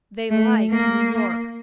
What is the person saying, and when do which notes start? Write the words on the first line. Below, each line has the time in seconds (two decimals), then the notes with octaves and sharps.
They liked New York.
0.31 A3
0.70 A#3